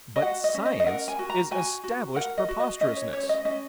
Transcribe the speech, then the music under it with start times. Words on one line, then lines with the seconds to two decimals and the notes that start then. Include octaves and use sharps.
But Science is established preposterousness.
0.16 D#5
0.22 F#4 F#5
0.44 D#5
0.54 C#4
0.65 D#5
0.80 D#5
0.86 A#4 F#5
1.08 G#5
1.19 F#4
1.30 A#5
1.51 F#4 G#5
1.84 F#4
2.16 A#4 F#5
2.38 D#5
2.48 F#4
2.60 D#5
2.81 C#4 D#5
2.97 C#5
3.13 C#4 C#5
3.23 C#5
3.29 D#5
3.45 C#4 D#5